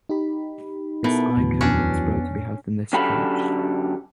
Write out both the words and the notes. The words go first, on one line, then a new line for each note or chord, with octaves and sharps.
This icon was brought to be housed in this church.
D#4 G4 B5
B2 B3 E4 A4 A#4
D#2 A2 D3 E3 F#3
F2 C#4 D4
F#2 D3 G4 A4 F5 B5